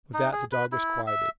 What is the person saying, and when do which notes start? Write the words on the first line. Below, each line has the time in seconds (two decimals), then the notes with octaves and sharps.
With that the dog was quieted.
0.14 D#4
0.33 G#4
0.52 B4
0.72 E4
1.07 E5